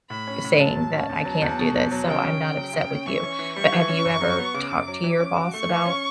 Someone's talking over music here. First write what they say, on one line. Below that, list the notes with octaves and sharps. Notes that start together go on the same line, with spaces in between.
saying that I can't do this, so I'm not upset with you." But have you ever talked to your boss about,
A2 B5
C#4
A2
F#3 A5
A2
C#4
E2
F#3
E2
B2
E2
F#3
C#3 G5
C#4
C#3
F#3
C#3
C#4
E3 C#6
C#4
E3
G3 C#6
E3
C#4
F#2
F#3
B3
C#3 D6
F#2
F#3
E3
C#4
F#4
A3 C#6
E3
C#4